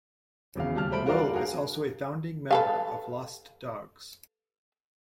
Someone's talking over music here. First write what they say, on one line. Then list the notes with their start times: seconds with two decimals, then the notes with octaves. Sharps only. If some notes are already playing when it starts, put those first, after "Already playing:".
Roe is also a founding member of Lost Dogs.
0.55 G#1 E2 C#3 F5
0.75 D#2 G3 A5 F6
0.91 G3 A3 C5 B5 D7
1.06 F4 F#4 A#4 C5 D5 F5
1.19 D4
1.33 F#4 G#4 A#4 F5
2.51 G4 A4 B4 F5